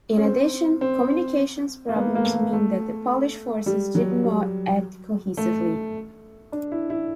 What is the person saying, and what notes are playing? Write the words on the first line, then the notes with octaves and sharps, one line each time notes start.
In addition, communications problems meant that the Polish forces did not act cohesively.
C#4
C4
C4
A#3
B3
A#3
A3
A#3
A3
G3
F#3
G3
A3
D4
E4
E4